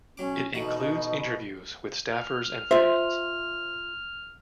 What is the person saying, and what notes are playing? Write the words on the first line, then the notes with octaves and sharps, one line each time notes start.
It includes interviews with staffers and fans.
B1 F#3 C#4 D6
B2 D3 E3 D#4 F#4
F6
F4 C5 E5